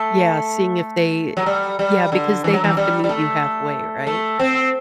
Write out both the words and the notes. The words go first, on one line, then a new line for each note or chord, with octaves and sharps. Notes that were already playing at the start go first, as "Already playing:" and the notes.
Yeah, seeing if they eh yeah, because they have to meet you halfway, right?
Already playing: A3
F#3
G3
G3
D3
E3
F#3
E3
G3
G3
A3
A3
C4